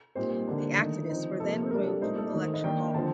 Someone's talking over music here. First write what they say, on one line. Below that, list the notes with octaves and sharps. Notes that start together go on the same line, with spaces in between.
The activists were then removed from the lecture hall.
A#2 G3 C4 D#4 C5
D3 G3 A#3 D4
D#3 A3 D#4
F3 C4 D#4
C3 F3 A#3 A4
C3 G3 D4 A#4
A4
A#2 A3 D#4 C5
A4
D#3 A3 D#4 A#4
C5
D#5
D#3 A#3 D4 G5
D3 F3 C4 A5